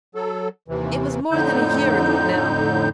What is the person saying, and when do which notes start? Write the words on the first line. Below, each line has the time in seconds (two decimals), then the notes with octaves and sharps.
It was more than a year ago now.
0.15 F#3 A4
0.68 D#2 C3 E3
1.32 F2 A2 D3 D#4 G6